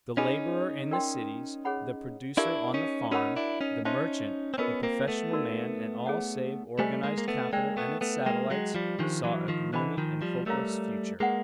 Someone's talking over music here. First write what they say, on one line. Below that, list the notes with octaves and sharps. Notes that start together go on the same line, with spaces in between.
The laborer in the cities, the producer on the farm, the merchant, the professional man and all save organized capital and its satellites, saw a gloomy and hopeless future.
C#4 D#4 G#4 B4 D#5 G#5 B5
A#4 D5 G5 C6
G#4 C#5 F#5 B5
D4 E4 G4 A#4 D5 F5 A5
C#4 D#4
C#4 D#4 F#4 A#4 C#5 F#5 B5
D4 E4
C#4 D#4
C#4 D#4 C5 E5 A5 C6
C4
B3 C#4 F4 A#4 D#5
A#3 C4
A3 B3
D#4 F#4 A#4 D5
G#4 C#5 F#5
G3 A3 C5 D#5 G#5
G#3 A#3
A#3
A3 B3
G#3 A#3 A#4 D5 G5
A3 B3
A3 B3
G#3 A#3 B4 E5 G5
F#3 G#3
F3 G3
D#3 F3 D4 G4 C5
E3 F#3
D#3 F3
D3 E3 C5 D#5 G#5 B5
D#3 F3
F3 G3
G3 A3 A#4 C#5 F5 A#5
G#3 A#3 G#4 B4 D#5 F#5